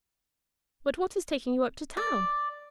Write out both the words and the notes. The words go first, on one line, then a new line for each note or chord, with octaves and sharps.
But what is taking you up to town?
D5